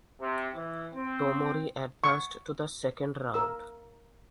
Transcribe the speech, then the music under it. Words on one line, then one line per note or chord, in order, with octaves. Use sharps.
Tomori advanced to the second round.
C3
E3
C4
C#6
A#4 E6